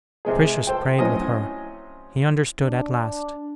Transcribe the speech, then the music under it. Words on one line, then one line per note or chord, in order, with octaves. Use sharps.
Patricius prayed with her; he understood at last.
C3 G#3 G#4
A4 C5 G5
A2 F#3 C4 C#4 D#5
D4